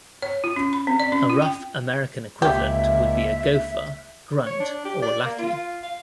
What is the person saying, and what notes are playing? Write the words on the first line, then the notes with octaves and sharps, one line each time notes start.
A rough American equivalent would be a "gofer," "grunt" or "lackey".
C#5
F4
C#4
B5
C4
D5
C#4
F4
G5
C#2 A#3 G4 E5
C#5
D4
G4
D5
A#3
F4
F5